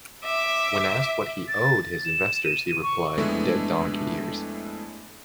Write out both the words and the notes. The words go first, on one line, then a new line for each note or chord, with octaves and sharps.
When asked what he owed his investors he replied: "dead donkey ears".
E5 D6
A6
E7
D#7
C#6
F2 G#3 A3 B3 D4 E4